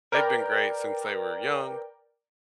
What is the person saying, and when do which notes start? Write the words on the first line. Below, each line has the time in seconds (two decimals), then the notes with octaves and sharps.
they've been great since they were young
0.12 A#4 B4 D5 G5